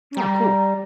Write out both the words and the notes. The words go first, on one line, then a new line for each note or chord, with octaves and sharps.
Oh, cool.
G3 A#5